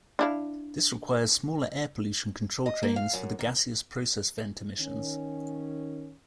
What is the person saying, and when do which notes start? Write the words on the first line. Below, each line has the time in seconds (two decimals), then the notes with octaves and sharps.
This requires smaller air pollution control trains for the gaseous process vent emissions.
0.19 D4 E4 F5
2.66 D#5
2.83 A#3
2.96 F5
3.13 F#2
3.39 D#3
4.79 D#3 C#4